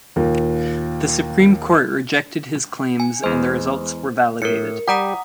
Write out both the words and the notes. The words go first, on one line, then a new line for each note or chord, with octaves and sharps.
The Supreme Court rejected his claims and the results were validated.
D#2 A#2 A#3
G#5
E2 G#3 C5
A2 A#4 C#7
G3 G4 F#5 A#5 D#6